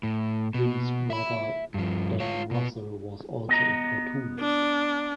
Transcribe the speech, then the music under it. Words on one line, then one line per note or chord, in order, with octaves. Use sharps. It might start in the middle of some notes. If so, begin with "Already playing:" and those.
Jim's brother Dan Russell was also a cartoonist.
A2
B2
E5 B5
G2 F3
F4 C#5
B2 B3
B3 D#5 A#5
D4